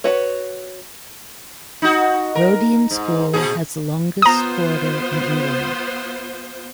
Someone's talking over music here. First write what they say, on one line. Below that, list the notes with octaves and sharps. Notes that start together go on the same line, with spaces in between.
Roedean school has the longest corridor in England.
F#4 B4 C#5
D#4 F#4
A#4
G#2
A#2 G#4
B3 F4 C5 A#5 D#6